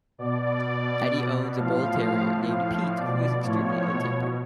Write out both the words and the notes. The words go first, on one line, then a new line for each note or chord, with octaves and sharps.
Eddie owns a bull terrier named Pete, who is extremely ill-tempered.
B2 D5
B2
B2
A2 F3 F5
A2 F3
A2 F3 F5
B2 D5
A2 F3 C#5
B2